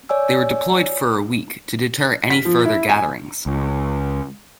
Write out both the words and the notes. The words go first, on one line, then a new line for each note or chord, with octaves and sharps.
They were deployed for a week, to deter any further gatherings.
C#5 D5 G#5 E6
B6
F3
E4
G#5
C#2